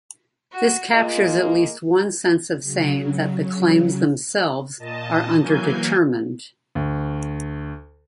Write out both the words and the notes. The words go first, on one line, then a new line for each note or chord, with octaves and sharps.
This captures at least one sense of saying that the claims themselves are underdetermined.
F#4
G#3 A#3 F4
C#3 F#3
A#2 D#5 A5
E3 F#3 A#3 G#5 G6
D2